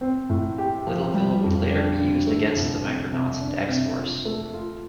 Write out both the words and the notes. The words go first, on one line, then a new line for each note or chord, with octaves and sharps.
Liddleville would later be used against the Micronauts and X-Force.
C4
A2
G4
F3
G3
F2
D4
D3
A3
C2
C4
C3
D4
C3
F4
A3
F4